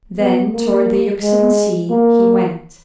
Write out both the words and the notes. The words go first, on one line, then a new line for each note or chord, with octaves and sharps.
Then toward the Euxine Sea he went.
B3
A#3
G#3
A#3